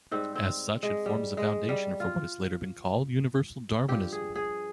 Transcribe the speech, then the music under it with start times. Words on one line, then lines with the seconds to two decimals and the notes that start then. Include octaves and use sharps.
As such, it forms a foundation for what has later been called universal Darwinism.
0.11 G#2 G3 C4
0.35 C4
0.83 G#3
1.06 G3
1.37 G#3
1.69 G3
2.00 F4
3.88 G2 F3 G4
4.12 G#4
4.35 G#4